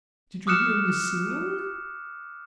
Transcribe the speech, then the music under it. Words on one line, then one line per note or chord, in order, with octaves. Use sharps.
"Did you hear me singing?"
D6 D#6 F6 F#6 C#7 E7